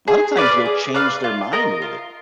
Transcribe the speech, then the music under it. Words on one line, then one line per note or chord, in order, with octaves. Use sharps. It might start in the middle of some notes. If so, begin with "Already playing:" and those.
lotta times you'll change their mind with it.
G#4
B4 D5 F5
G#4
B4 D5 F5
F4
A#4 D#5
F4